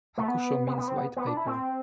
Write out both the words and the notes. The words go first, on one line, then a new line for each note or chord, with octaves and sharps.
"Hakusho" means "white paper".
A3
B3
B3
B3
C4
B3
B3
D4
E4
C4